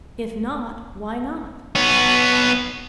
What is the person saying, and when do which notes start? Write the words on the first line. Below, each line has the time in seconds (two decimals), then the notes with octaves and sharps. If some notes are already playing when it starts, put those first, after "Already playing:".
If not, why not?
1.75 B3 C#5